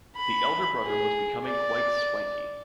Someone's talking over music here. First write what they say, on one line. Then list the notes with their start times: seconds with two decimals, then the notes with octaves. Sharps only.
The elder brother was becoming quite swanky.
0.16 B5
0.84 G#4
1.46 D5